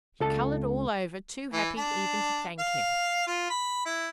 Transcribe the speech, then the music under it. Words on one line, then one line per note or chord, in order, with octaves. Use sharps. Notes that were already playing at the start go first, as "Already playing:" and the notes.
She coloured all over; too happy even to thank him.
C#2 A4 A5
E3
D4
F5
F4
B5
E4